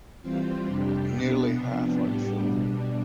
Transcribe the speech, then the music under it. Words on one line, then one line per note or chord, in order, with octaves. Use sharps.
Nearly half are children.
E3 G3 C4 F4 C5
F2 C3 G3 D4 G4
B2 B3 D4
C3 F3 B3 D4
A2 G3 B3 D4 G4
B2 G3 D4